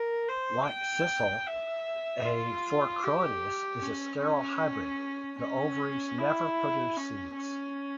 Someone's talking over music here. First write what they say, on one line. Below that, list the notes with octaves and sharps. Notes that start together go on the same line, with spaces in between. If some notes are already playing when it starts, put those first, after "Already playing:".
Like sisal, "A. fourcroydes" is a sterile hybrid; the ovaries never produce seeds.
Already playing: A#4
C5
G5
E5
F4
G4
C#4
C#4
C#4
E4
C#4
C#4